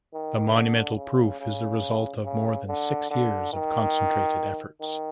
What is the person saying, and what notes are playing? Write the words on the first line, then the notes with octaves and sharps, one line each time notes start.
The monumental proof is the result of more than six years of concentrated efforts.
D#3
D3
C#3
C#3
C#3
D3
D3
D#3
D#3